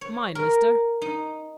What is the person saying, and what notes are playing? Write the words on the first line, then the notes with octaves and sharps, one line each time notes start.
"Mine, mister."
C#5
A#4
D#4